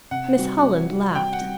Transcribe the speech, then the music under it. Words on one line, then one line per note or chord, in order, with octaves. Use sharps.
Miss Holland laughed.
C3 F#5
G3 C4 F#4
C3
G3 C4 F#4
C3 G5
F#5
G3 C4 F#4